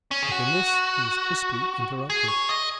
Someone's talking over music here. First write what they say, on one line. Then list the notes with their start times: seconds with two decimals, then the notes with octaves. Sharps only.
But in this he was crisply interrupted.
0.11 C#4
0.23 G#4
0.31 F#4
2.10 G#4
2.28 C#5
2.49 D#5